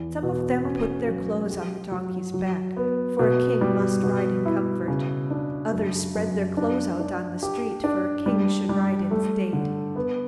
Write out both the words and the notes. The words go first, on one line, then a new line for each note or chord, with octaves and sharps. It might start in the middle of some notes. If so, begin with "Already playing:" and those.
Some of them put their clothes on the donkey's back, for a king must ride in comfort. Others spread their clothes out on the street, for a king should ride in state.
Already playing: E2
B2
C#4
F#3
G4
F#3
F#3
B3
B2
G3
B2
E4
C#3
D4
F#2
F#2
D4
D4
G4
D4
G3
G3
A3
D3
B3